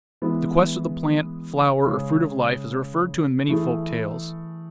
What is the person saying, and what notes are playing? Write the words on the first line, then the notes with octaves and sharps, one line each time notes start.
The quest of the plant, flower, or fruit of life is referred to in many folk tales.
E3 G#3 B3 E4
C#3 G#3 C#4 G#4
E3 A3 E4 G#4